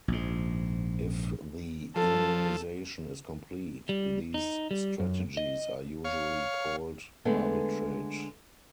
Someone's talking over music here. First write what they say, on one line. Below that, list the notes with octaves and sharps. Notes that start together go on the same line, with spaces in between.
If the immunization is complete, these strategies are usually called arbitrage.
A#1 G#2
F3 A4
G3
D#4
G3
F#2
D#5
C#5 F5
D3 G#3 A3 B3